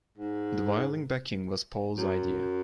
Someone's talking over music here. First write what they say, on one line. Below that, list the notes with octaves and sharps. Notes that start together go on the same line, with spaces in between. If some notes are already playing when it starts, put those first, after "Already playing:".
The violin backing was Paul's idea.
G#2
F#2